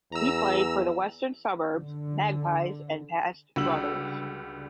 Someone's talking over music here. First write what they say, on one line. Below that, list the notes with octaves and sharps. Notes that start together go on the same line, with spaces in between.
He played for the Western Suburbs Magpies and Past Brothers.
E2 A#5 E6
D3
C#2 D3 G3 F#4 E6 F#7